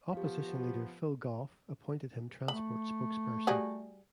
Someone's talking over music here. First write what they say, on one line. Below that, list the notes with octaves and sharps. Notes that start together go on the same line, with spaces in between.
Opposition Leader Phil Goff appointed him Transport Spokesperson.
F3 B3 G4 F5
A3 B5
G3 F#4 G#4